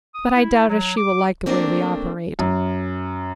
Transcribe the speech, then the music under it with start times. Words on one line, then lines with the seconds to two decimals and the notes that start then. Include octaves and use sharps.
But I doubt if she will like the way we operate.
0.15 D#6
0.36 E4
0.69 F#3
0.97 D6
1.46 A3 A#3 C4 D4
2.39 F#2